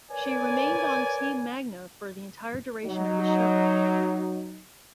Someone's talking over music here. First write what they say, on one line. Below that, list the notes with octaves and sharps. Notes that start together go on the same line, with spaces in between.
She remained on Team Magna for the entire duration of the show.
A#4 B4 C#5 D5 G#5
F#3 D#4